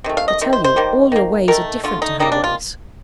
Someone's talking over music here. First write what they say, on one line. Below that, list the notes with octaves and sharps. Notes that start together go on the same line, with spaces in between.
I tell you, all your ways are different to her ways.'
C3 D#3 A3
F5
D#5
C3 D#3
C5
C5
D#3 G3 A#3
D#3 A#3
D#3 A3 A#4
D3 A3 F4
D#4
D#3 G3 A#3 D#4
D4
F4